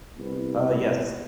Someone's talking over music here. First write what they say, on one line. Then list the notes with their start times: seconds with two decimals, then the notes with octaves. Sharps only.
Uh, yes.
0.17 C2 B3